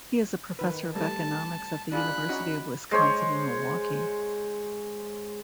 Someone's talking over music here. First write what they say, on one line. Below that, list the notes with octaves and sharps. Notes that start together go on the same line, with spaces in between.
He is a professor of economics at the University of Wisconsin-Milwaukee.
D#3 B4
G3 A3 A5
D4 F4 G#4 B5 F#6
C#4 D#4 F#4
G#3 C5 C#5